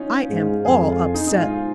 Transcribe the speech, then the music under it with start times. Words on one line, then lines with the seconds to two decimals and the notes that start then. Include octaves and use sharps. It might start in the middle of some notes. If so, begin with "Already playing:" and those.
I am all upset!
Already playing: C#4 D#4 F4
0.30 G#2
0.65 F2 G#4
0.91 F4
1.14 D#4
1.27 D#4
1.38 G#2 F4